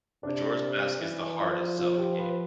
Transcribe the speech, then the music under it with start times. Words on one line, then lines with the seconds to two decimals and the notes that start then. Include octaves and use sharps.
Majora's Mask is the hardest Zelda game.
0.23 C3 D4
1.01 E3
1.40 F3
1.79 F3 F4
1.98 G4
2.18 B4